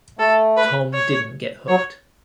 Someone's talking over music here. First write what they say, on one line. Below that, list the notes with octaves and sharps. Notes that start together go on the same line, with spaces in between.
Tom didn't get hooked.
A3 A4
B4
C#5
F#3 C#5